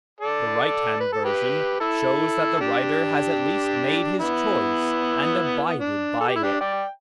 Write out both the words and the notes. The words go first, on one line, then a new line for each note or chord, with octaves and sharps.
The right-hand version shows that the writer has at least made his choice and abided by it.
A4 D5
B4
A4
G4 B4
E4 A4
D4 G4
B3 E4
D4
A4
G4
E4
D4 G4
D5 G5